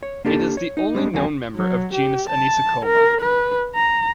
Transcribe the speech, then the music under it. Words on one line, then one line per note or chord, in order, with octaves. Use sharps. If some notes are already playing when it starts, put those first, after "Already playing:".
It is the only known member of genus Anisocoma.
C#5
A#3 D4 G4 A4
C#5
D#4
G3 G#3 D4
D#2 F#3 A#3 C4 G#5
F#3
G4
A5
A#4
B4
A#5